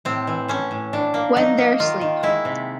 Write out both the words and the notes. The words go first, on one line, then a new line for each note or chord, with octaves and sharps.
When They're Asleep.
A2 C4
E3
A2 C#4
A2
A2 D4
A#3
F#3 D#4
A#3
D#3 F4
D#3
G#3 E4
C3